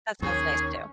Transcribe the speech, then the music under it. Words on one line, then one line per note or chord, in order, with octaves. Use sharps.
That sounds nice too.
D#2 C#4 G#4 C#6